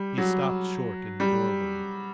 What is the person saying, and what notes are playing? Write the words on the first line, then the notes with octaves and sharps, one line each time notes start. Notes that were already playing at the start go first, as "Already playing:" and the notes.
He stopped short in the doorway.
Already playing: G3
F#3
G3